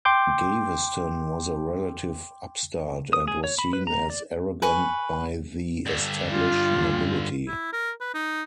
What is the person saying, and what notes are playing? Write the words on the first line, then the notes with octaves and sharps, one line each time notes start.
Gaveston was a relative upstart, and was seen as arrogant by the established nobility.
G5 C6 D6 G6
D#6
G#4
C#5
B5
B4
A#5
D5
B4 G#5 C#6
G2 D3
F4
E4
A#4
B4
D#4